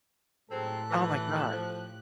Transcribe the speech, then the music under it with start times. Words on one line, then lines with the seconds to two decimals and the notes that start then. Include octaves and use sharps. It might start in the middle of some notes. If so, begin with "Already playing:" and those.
Oh my god.
0.51 A2 F#3 G#3 C4 G4 A4 F#6
0.90 E3
1.51 F3